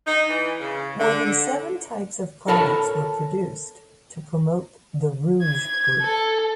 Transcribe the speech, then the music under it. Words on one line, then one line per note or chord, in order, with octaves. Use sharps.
More than seven types of products were produced to promote the Rouge group.
D#4
E3
C#3
D3
D3
A4 A#4 C#5 A5 B5
G#6
A4